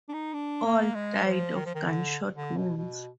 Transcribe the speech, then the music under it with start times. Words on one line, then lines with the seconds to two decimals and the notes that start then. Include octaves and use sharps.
All died of gunshot wounds.
0.09 D4
0.13 D#4
0.33 D4
0.65 A#3
0.95 G#3
1.25 F3
1.55 D#3
1.66 F3
1.75 D#3
1.86 D3
2.36 D3
2.57 B2
2.77 B2